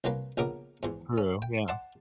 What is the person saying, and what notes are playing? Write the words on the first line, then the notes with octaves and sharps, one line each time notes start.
True, yeah.
C2 F#3 A#3 B4
A#1 C#3 B3 A#4 D6
E2 G#2
C#4
G5
D5 F#5 A5 C6